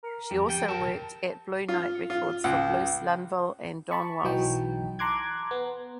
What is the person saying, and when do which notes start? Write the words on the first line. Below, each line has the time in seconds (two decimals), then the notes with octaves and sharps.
She also worked at Blue Note Records for Bruce Lundvall and Don Was.
0.04 A#4
0.31 F2 G4
0.49 F3 G5
0.68 A#4 A5
1.69 F4
2.10 F4
2.44 C#2
3.91 A5 B5 C#6
4.24 B1 E3 F#3 D#4 G5
4.99 A5 A#5 C6 D6 F#6 G#6
5.51 B3